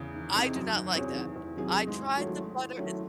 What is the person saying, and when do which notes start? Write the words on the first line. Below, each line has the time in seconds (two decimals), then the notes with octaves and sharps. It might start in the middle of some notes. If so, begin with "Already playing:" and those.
I do not like that. I tried the butter, it
Already playing: E2 C#3 E3
0.14 D#3
0.34 C3 E3 C4 D#4 G#4
0.55 F#2 F#3
0.75 D#3
0.95 E2 C3 E3 F#3 C#4 G#4
1.15 D#3
1.36 E2 E3
1.56 C3 D#3 F#3 C#4 G#4
1.87 G#2 G#3
2.17 D#3 F#3 A3 C#4 E4
2.78 D#3 F#3 A3 C#4 E4